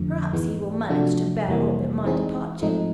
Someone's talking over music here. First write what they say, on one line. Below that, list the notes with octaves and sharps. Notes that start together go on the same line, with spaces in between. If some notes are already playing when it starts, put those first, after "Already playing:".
Perhaps he will manage to bear up at my departure.
Already playing: F2 D3 F3 A3
G#2 E3 G#3 B3 D#4
C3 F3 A3 D4 F#4
F2 C3 E3 G3 A#3
E3 G#3 C4 D#4 G#4
G#2 F3 A3 C4 D#4